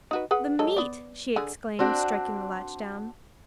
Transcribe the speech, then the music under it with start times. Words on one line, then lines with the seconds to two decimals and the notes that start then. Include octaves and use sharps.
"The meat!" she exclaimed, striking the latch down.
0.11 D#4 F#4 B4
0.31 G#4 B4 F#5
0.59 F#3 G#3 A4
0.76 B3 D5
1.36 D3 G#4
1.79 C4 D4 F#4